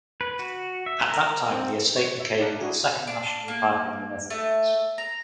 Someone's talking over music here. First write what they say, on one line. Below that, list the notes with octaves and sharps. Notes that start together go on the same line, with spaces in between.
At that time the estate became the second national park in the Netherlands.
B4
F#4
E5
A#4
C4
F#4 C#5 F#5 C#6
E5
D#4 D5 F5 F#5 A5
D4 E4 F#4 G#4 G#5
D4
A#3
A3
A#5